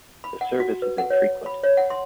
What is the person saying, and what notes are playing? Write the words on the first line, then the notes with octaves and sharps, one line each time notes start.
The service is infrequent.
B5
F#5
F#4
B4
F#5
C#5
B5
C#5
F#5
C6